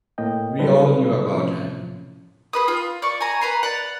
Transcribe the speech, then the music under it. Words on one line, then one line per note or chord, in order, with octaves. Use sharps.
We all knew about him.
C2 A2 A#3 D#5 G5
F#3 G3 D#4 A4 B4 C5
A2 C3 E3 F3 C#4
G#4 B4 D#6
F4
D5 C#6
G#5 A#5
B4 A#5 C6
D5 F#5